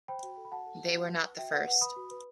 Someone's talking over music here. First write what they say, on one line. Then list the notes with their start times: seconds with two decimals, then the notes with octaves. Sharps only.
They were not the first.
0.08 C5 G5 B5
0.23 F#4
0.37 A4
0.45 B5
0.52 F#4 F#5 A5
0.66 A4
0.81 F#4
0.95 F#4
1.10 B4
1.24 B4
1.38 F#4 E5 G5
1.53 B4 F#5
1.67 B4 F#5
1.81 B4 B5 D#6
1.96 F#4
2.11 B4